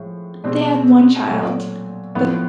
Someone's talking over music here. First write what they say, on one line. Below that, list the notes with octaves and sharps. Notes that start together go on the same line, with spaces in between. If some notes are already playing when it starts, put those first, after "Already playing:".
They had one child.
Already playing: A2 F3 G#3
B2 G#3 C4 D4
A#2 F#3 A3
A2 F3 A3 B3